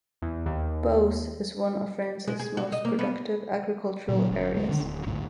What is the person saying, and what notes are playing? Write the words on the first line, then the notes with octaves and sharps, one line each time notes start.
Beauce is one of France's most productive agricultural areas.
E2
D#2
G#3
G#4
F#4
D#5
A#3
B3
A#2 C#3 F#3
G1 G2
D2 G#3
D3 D#3 D4
D1
G#1 D2 G2